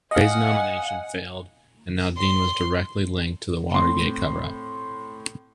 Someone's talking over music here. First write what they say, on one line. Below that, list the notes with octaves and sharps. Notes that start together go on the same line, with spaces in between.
Gray's nomination failed and now Dean was directly linked to the Watergate cover-up.
D#5 F5 F#5 G#5
C6
A2 C4 C6